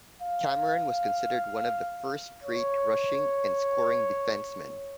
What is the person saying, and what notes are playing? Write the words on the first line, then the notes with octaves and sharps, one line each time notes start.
Cameron was considered one of the first great rushing and scoring defencemen.
F5
C#5